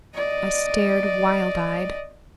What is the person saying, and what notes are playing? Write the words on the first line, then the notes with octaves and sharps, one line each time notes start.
I stared, wild-eyed.
D5 D#5